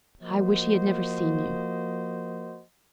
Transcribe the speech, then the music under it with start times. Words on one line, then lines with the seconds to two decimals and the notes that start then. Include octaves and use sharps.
"I wish he had never seen you."
0.21 F3 A#3 F#4 C5 D#5